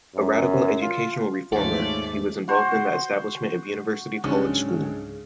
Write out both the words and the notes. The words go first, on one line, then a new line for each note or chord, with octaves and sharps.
A 'radical educational reformer' he was involved in the establishment of University College School.
F#2
F4
D#2 G#2 A3 F4 F#4 C#5 D5
F#4 C5
C#2 G#2 C#3 F#3 G#3 C4 D4 C#5